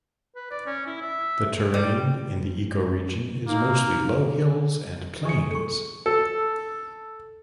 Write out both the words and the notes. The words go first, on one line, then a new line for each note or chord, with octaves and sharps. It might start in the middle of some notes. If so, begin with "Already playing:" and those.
The terrain in the ecoregion is mostly low hills and plains.
B4
D5
C#4
E4
E5
G3
A#3 D#4
G#4 C#6 C#7
A4 C#6 C#7
A4